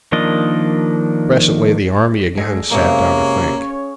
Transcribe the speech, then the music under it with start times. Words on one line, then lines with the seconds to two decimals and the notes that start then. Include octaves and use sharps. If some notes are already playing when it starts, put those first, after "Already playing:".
Presently the army again sat down to think.
0.12 D#3 F3 A#3 D4 D#5
2.37 G#3 G#4 A4 D5
2.71 C3 G#3 A#3 C#4 G#4 C#5 F5 D#6